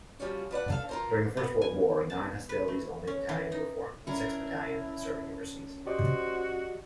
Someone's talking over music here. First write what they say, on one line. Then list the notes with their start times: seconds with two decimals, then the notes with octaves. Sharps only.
During the First World War, nine hostilities-only battalions were formed, six battalions serving overseas.
0.20 F3 G3 C#4 F4 F#4
0.51 F3 B4 D5 F#5
0.68 D4 A4 F5
0.89 F4 A#4 C5
1.37 B3
1.62 G#5
2.10 A5
2.49 B4
2.68 A3
3.07 C#4
3.29 E3
3.52 D#4
4.07 D3 C#4 D4 E4 A#4
5.86 F#4 G4 C5 D5 D#5